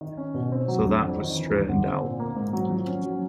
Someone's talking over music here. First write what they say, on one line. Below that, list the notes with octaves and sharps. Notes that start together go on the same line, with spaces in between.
So that was straightened out.
D#3
C#4
B2
C4
F#3
D4
F2
D#3
E3
D4
D3
C4
A#2
A#3
G#2
F#3
F3
C#4
F#3